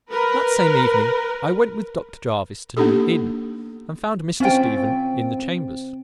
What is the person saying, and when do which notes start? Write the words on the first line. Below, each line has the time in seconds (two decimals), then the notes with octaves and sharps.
That same evening I went with Dr. Jervis to New Inn and found Mr. Stephen in the chambers.
0.11 A#4 B4
2.77 A#3 B3 D4 D#4 G4 A4
4.40 C4 C#4 F4 G5